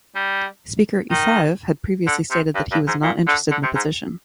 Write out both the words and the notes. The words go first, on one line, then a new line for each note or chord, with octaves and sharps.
Speaker Isaev had previously stated that he was not interested in the position.
G3
D#3
D3
C3
G2
G2
G#2
A#2
D3
D3
C3
G#2